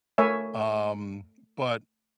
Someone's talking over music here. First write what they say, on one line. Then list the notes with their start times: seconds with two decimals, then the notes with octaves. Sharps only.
um, but
0.18 A3 A#4 C#5 E5 G#5